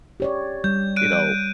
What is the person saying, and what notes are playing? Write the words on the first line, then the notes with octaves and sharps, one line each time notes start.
you know,
G4 C#5 D5
G3 G6
F#6 D7 D#7